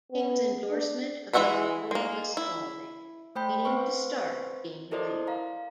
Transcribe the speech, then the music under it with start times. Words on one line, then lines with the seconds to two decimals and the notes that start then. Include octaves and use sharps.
King's endorsement of the report was scalding, leading to Stark being relieved.
0.12 B3
0.70 D4
1.33 E3 G#3 E5 F#5 B5
1.91 G#3 A#3
2.37 E4
3.35 A3 C5 G5 B5 G6
3.65 C4 B4 C5 C#6
4.91 E4 A4 A#4 C5 D5 D#5
5.27 F5 A#5